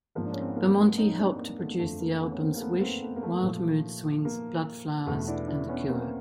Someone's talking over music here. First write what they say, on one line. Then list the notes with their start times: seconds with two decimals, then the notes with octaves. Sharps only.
Bamonte helped to produce the albums "Wish", "Wild Mood Swings", "Bloodflowers", and "The Cure".
0.15 G#2 F3 A#3
0.25 D4
0.33 C#4
0.41 C4
0.48 B3
0.56 A#3
0.98 C#4 D#4
1.18 C4 D4
1.38 A#3
1.59 A3 B3
1.79 F2 D3 F3 A3
2.00 A#3
2.20 A3 B3
2.32 C#4
2.41 A#3 C4
2.56 A#3
2.61 A3 B3
2.81 A#3 C4
3.02 A3 B3
3.16 A#3
3.23 A3
3.43 A#2 F3
4.25 A#3
5.06 E2 B2 A3 B3
5.27 D4 E4
5.48 D4 E4
5.68 B3 C#4
5.88 A#3 C4